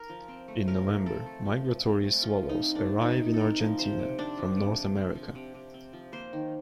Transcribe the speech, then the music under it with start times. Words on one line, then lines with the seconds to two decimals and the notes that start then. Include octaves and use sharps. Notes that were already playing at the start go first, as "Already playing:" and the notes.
In November migratory swallows arrive in Argentina from North America.
Already playing: A#4
0.09 F3
0.28 C4
0.48 A3
0.68 F3 A#4
0.87 F3
1.06 C4 A4
1.26 A3
1.45 F3
1.64 F3
1.84 C4
2.04 A3
2.23 F3 F4
2.43 F3
2.49 D#4
2.62 C4
2.75 D4
2.82 A3
3.01 C3 D#4
3.21 C3
3.34 A4
3.40 C4 A#4
3.60 F3
3.79 C3 C5
3.99 C3
4.18 C4 D4
4.38 F3
4.57 C3
4.77 C3
4.96 C4
5.15 F3
5.35 C3
5.54 C3
5.74 C4
5.93 F3
6.12 A#3 C5
6.33 D#3